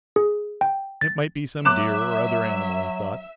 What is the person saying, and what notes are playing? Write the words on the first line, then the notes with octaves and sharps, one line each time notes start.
It might be some deer or other animal, he thought.
G#4
G5
A6
F#3 E5 D6 F#6 E7